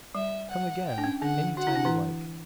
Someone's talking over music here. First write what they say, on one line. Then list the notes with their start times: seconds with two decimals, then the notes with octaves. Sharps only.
"Come again any time you like."
0.15 G3 E5
0.50 F#5
0.86 G5
0.98 D4
1.04 C#4
1.22 D3 D4 F#5
1.57 F#4 F#5
1.67 E4
1.75 D4
1.85 E3 E4